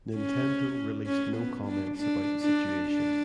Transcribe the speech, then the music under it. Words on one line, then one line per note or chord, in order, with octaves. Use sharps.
Nintendo released no comments about the situation.
C#4
C#4
B3
D4
D4
D4
D4